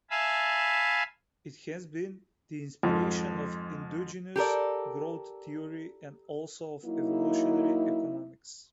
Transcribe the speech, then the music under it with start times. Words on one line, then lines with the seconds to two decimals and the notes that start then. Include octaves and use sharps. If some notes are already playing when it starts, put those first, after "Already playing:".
It has been the inspiration of endogenous growth theory and also of evolutionary economics.
0.10 E5 F5 G#5 A5 B5
2.83 F2 G#2 F3
4.36 G4 A4 A#4 D5
6.85 F#3 A#3 D#4 E4